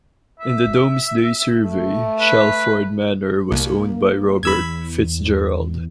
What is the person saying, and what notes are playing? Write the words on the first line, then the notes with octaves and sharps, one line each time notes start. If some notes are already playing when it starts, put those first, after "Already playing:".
In the Domesday Survey, Shalford Manor was owned by Robert FitzGerald.
E5
A3
B4
C2 A#3
E2 B5 E6 G#6